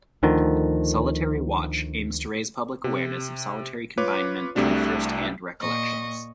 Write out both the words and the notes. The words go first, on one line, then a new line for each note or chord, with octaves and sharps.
Solitary Watch aims to raise public awareness of solitary confinement through firsthand recollections.
D2 D3 D#3 F3
C3
F4 B4 C#5 D6
C2 C3 A3 D4 F#4
A#2 D#5 C#6